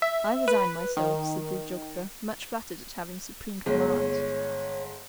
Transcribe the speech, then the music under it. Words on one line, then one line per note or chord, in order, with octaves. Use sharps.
"I resign myself," said the geographer, much flattered at having supreme command.
E5
B4
D#3
G1 G#3 C#5